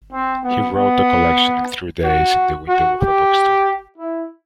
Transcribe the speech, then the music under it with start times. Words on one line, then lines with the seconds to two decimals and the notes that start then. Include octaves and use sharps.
He wrote the collection in three days in the window of a bookstore.
0.13 C4
0.44 B3
0.76 B3
2.04 F#4
2.68 F#4
3.01 G4
3.98 E4